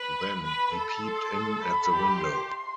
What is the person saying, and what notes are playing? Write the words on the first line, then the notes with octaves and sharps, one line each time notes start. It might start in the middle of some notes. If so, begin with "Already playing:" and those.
Then he peeped in at the window.
Already playing: B4
B5
B4
A4
C6
B5
G4
C6